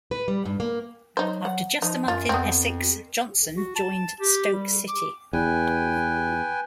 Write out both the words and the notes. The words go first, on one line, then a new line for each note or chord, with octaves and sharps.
After just a month in Essex, Johnson joined Stoke City.
B4
G3
G2
A#3
F#3 D#4 C5
F#5
F3 D#4
F#2 F4
F2 B3 C4
F#4
A5
G4
G3
D6
E2 B4 G5 G#5